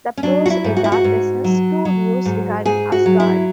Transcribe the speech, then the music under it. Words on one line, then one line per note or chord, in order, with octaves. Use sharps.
The Prose Edda presents two views regarding Asgard.
C#4
F#3 D4
F#4
E4
G#2
F#4
E4
F#4
G#2
F#3
F#3
G#2
G#2 G#4
F#4
F#3
E4